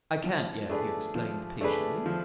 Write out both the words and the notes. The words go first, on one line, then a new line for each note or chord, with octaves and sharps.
"I can't yet," he explained, patiently.
F3
A3 D4 G#4 B4
F3
A3 D4 G#4 B4
F3